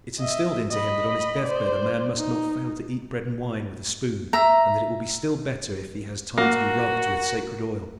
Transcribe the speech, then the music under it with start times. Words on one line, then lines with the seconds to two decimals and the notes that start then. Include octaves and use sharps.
It is instilled into him that on his death-bed a man must not fail to eat bread and wine with a spoon, and that it will be still better if he has time to be rubbed with sacred oil.
0.19 D#5 E5
0.71 D#5 B5
1.44 C5 D5
2.17 D#4
4.33 E5 A#5
6.38 A#3 F#4